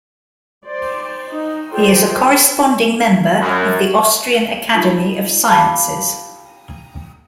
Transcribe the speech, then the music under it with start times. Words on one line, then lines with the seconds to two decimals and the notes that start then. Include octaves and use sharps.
He is a "Corresponding Member" of the Austrian Academy of Sciences.
0.65 C5 D5
1.29 D#4
1.72 F4 G#4 A4 C5 D5 G5
3.40 F#2
4.75 D#4 F4 G4 D#6
5.50 G4 F5 A5 B5 D6